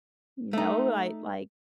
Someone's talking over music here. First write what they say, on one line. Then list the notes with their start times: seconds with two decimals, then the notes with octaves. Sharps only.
you know, I like,
0.53 A3 D#4